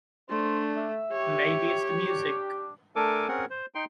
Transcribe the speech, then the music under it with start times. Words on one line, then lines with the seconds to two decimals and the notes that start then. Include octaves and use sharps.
Maybe it's the music.
0.30 A3 D4 C5
0.77 E5
1.12 G4 C#5
2.09 D4
2.96 A3 D4 A4 A#4 G#5 D6
3.28 C4 C#4 G#4 A#4 F#5
3.50 C5
3.75 D#4 G5 C6